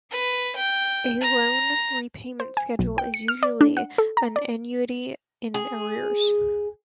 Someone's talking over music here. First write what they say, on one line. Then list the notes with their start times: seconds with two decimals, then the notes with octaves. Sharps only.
A loan repayment schedule is usually an annuity in arrears.
0.11 B4
0.56 G5
1.20 A#5
2.40 C5
2.57 G#5
2.79 B1
2.98 G5
3.14 C#7
3.28 F6
3.43 D5
3.61 D4
3.77 F#5
3.98 A4
4.17 A#5
4.36 D5
5.54 G#4